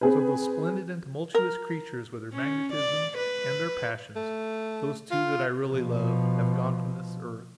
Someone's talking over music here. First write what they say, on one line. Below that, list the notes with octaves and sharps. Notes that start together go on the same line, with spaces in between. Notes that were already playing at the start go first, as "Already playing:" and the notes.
So those splendid and tumultuous creatures with their magnetism and their passions--those two that I really loved--have gone from this earth.
C4 G#4 B4
A#4
C#4
D5
B4
A3
F4
B2 F3